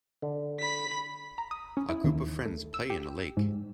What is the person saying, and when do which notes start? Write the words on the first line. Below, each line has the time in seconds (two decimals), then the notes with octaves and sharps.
A group of friends play in a lake.
0.22 D3
0.60 B5 B6
1.38 A#5
1.51 D#6
1.77 C#4
1.89 E4
2.04 D#2
2.45 A3
2.74 E6
2.90 G4
3.37 G#2